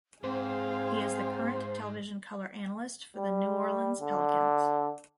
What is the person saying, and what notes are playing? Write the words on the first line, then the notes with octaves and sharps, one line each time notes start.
He is the current television color analyst for the New Orleans Pelicans.
G#2 C4 G#4 C5 F5
G3
D3